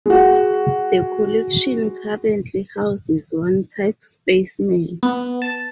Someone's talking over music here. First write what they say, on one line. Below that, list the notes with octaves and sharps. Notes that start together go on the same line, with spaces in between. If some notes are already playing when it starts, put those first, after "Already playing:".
The collection currently houses one type specimen.
G#3 F#4
B3
A5